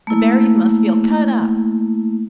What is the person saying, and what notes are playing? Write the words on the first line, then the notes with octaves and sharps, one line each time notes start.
The Barrys must feel cut up.
A3 A#3 E4